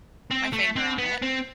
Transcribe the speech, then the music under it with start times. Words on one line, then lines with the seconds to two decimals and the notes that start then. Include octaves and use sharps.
my finger on it,
0.31 C4
0.53 A3
0.76 C4
0.98 B3
1.22 C4